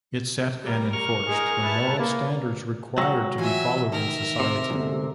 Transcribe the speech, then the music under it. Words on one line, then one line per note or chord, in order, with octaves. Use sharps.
It set and enforced the moral standards required to be followed in society.
G3 A#4
C#6 F6
G#3 D#4 G#4 A#4
E4 B4 A5
A#3 G#4 B4
G#2 F#3 F#5 G5 E6 A#6
E3 F4 F#4 E5 G#5
D#3 A#4 E5
C3
F2 G#2 B2 D3 A#3